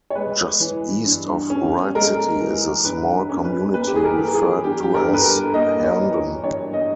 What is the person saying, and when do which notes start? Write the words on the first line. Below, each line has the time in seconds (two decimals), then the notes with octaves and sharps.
Just east of Wright City is a small community referred to as Herndon.
0.10 C#5
0.15 G#3 B4
0.60 E3
1.05 G2
1.50 C#4
1.95 G#3 A#4
2.40 E3
2.85 G2 B4
3.30 C#4
3.44 B4
3.74 A#3 B4
3.87 G4
3.95 G#4
4.04 A#4
4.19 E3
4.34 G#4
4.64 G2 G4
4.83 G4
4.94 A#4
5.08 G2
5.14 B4
5.24 A#4
5.54 A#3 D#5
5.84 C#5
5.99 E3
6.44 G2 C#5
6.73 D#5